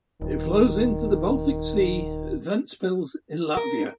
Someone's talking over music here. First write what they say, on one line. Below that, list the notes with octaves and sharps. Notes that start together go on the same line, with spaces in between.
It flows into the Baltic Sea at Ventspils in Latvia.
D#1 D#3
A#4